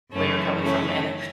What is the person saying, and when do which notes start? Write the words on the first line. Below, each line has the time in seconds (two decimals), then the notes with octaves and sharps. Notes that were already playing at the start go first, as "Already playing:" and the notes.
where you're coming from, and, eh,
0.12 F#2 C#3 E3 A3 C#4
0.62 A3 C#4